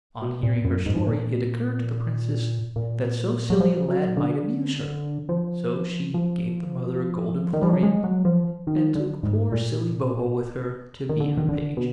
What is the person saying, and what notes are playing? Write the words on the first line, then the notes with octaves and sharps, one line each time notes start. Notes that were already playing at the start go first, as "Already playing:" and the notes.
On hearing her story, it occurred to the Princess that so silly a lad might amuse her; so she gave the mother a golden florin, and took poor silly Bobo with her to be her page.
B2
A#2
F#2
G#2
G#2
A#2
A#2
F#3
F3
F#3
D3
F3
F3
D#3
F3
F#3
G#3
F#3
F3
D#3
D3
G#2
A#2
D#3
D3
D#3
D3
B2